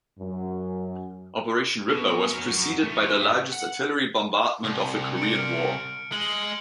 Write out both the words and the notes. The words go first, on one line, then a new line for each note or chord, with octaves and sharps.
Operation Ripper was preceded by the largest artillery bombardment of the Korean War.
F#2
B2
C#4 A#4
F#2
A3 C#4
F#5
C2
C#7 D7
F6
G#3 F#7 G7